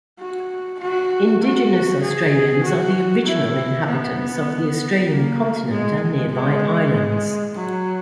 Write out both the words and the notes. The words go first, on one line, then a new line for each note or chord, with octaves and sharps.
Indigenous Australians are the original inhabitants of the Australian continent and nearby islands.
F#4
F#4
F#4
G#4
F#4
E4
B3
A#3
G#3
G#3
G#3
F#3